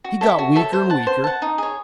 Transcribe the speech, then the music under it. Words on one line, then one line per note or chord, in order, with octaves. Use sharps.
He got weaker and weaker.
F#4
A4 C#5 E5
F#4
A4 C#5 E5
C5
F#5 A5
C5
F#5 A5
D#4
G#4 C#5